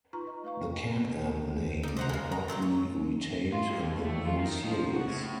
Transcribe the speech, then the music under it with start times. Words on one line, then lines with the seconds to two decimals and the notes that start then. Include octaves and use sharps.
The Can-Am name would not be retained in the new series.
0.13 D#4 F4 B4 A#5 C#6
0.27 F4 D#5
0.44 A3 B4 F5 C#6
0.61 G5
1.83 D#4 D5
1.97 C5 F#5 A#5
2.09 C#3 G#3
2.32 A#5
2.48 A#2 F#3 D5 G5
2.62 C#5
3.52 F4
3.70 D#2
4.05 A3
4.25 F4
4.39 D#3
4.66 F3
4.93 F#4
5.08 A2